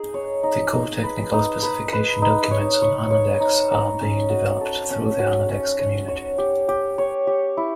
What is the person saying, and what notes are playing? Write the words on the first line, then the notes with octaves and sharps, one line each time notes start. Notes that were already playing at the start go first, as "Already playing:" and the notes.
The core technical specification documents on Annodex are being developed through the Annodex community.
Already playing: D#4 G#4
C#5
D#4
D#4
B4
D#4
B4
B4
D#4
C#5
C#5
C#5
D#4
D#4
C#4
F#4
A4
C#4
F#4
C#4
C#5
C#5
G4
G4
C#5
G4
E4